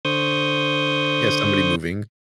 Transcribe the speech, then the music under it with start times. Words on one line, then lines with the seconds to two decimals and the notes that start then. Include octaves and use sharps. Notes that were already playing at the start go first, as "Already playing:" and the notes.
Yeah, somebody moving.
0.05 D3 C5 C#6 D#6 G6